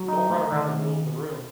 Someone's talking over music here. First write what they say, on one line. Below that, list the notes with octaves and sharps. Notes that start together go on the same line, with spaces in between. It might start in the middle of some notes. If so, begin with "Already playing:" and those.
Don’t run around the middle of the room!
Already playing: F#3
D#4
A3
D#3